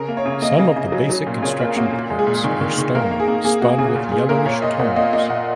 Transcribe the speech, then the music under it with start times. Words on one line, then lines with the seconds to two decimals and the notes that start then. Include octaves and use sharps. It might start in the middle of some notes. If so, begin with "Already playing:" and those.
Some of the basic construction parts are stone spun with yellowish tones.
Already playing: C#3 A#4
0.09 A#3
0.17 C#5
0.26 C#3
0.42 A#3 D#5
0.59 C#3
0.76 C#3
0.92 F#3
1.10 F#3
1.27 A#2
1.43 C#3 C#5
1.60 A#3 A#4
1.76 A#3 F#4
1.93 A#2
2.10 G#3
2.19 G#4
2.27 A#2
2.44 D#3
2.61 D#3
2.78 D#3
2.95 A#3 A#4
3.11 A#3
3.20 G#4
3.28 A#3
3.44 A#3 G#4
3.62 A#3 F#4
3.78 C#3 G#4
3.96 A#2
4.11 A#2 G#4
4.29 A#3 A#4
4.46 A#2 C#5
4.62 A#2 D#5
4.79 A#2 F#5
4.96 A#3 D#5
5.13 A#3 D#5
5.29 A#2 F#5